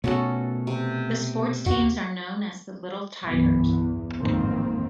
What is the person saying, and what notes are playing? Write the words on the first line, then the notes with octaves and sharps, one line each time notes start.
The sports teams are known as the 'Little Tigers'.
B2 A3 C#4 F#4 A4
C3
D#2 F#4
G1 C2 F#2 E3 B3
E2
A1 F2 G#2 D#3 A#3 C4